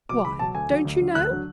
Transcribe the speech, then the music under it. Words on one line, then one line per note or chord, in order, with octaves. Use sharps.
'Why don't you know?
B2 F#3 D6
C#2 B5
B2 F#3 A5
D2 G#5
D3 F#3
D2
D3 F#3
D2 F#6
D3 F#3